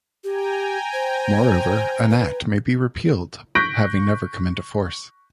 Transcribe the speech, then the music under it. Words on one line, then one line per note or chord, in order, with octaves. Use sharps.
Moreover, an Act may be repealed having never come into force.
G4 G5 G#5 A#5
C5
B4
C#6 F#6 G6 A#6 B6 D7